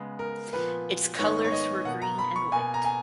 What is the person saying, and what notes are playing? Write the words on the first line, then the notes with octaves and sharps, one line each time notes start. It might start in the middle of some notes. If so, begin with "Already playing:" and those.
Its colours were green and white.
Already playing: C#3 G#3 B3
A#4
A#2 F3 B3 B4
G#2 D#3 G#3 B3 C#5
C#5
D#5
B2 A#3 F#5
A#5
B5
C#6
B2 A#3 G#5
A#5
G#5